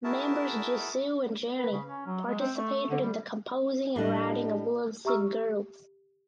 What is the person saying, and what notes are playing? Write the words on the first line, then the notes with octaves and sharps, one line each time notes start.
Members Jisoo and Jennie participated in the composing and writing of "Lovesick Girls".
E4 F#4 G#4 A#4 E5 A5
B4
C#3
C#4
F#3
G#3
C4
A3
A3
D3
G3
A2 G3 D4 D#5
G4 E5 A#5 C#6 E6 F6